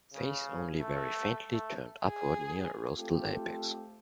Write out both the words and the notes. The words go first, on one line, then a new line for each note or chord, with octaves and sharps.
Face only very faintly turned upward near rostral apex.
C#3
A3
A3
G#4
A3 C4 F4 G4 A4